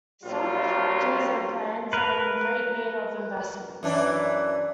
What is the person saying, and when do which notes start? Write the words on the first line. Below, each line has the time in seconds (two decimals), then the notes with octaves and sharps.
Some of the factories and plants are in great need of investments.
0.24 A#1 A#2 F#3 G3 F4
1.93 A#4 B4
3.83 F#2 E3 D4